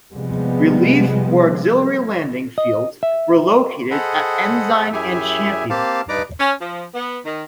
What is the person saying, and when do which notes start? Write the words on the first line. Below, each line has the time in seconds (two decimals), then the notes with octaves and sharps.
Relief or auxiliary landing fields were located at Ensign and Champion.
0.13 C3 F3 G3 G#3 B3
2.58 D#5
3.03 E5
3.91 G#4 A4 C5 D#5 F#5 B5
4.93 F#2 E4 G4 G#4 E5 G#5
5.70 A#3 C4 G4 F5 A5
6.09 G2 D#4 B4 D5 A#5 D6
6.40 C#4
6.60 F3
6.94 B3
7.25 D#3